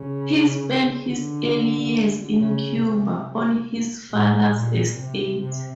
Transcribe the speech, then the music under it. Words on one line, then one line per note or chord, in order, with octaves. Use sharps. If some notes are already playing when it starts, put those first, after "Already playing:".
He spent his early years in Cuba on his father's estate.
Already playing: C#3
D3
C#3
C3
A2
A#2
C3
C3